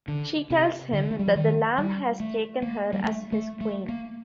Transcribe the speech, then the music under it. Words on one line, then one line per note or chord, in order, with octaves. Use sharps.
She tells him that the Lamb has taken her as His queen.
D3
C3
D3
A3
G3
F3
D#3
G3
A3
A#3
G3
A3
A3
A3
A#3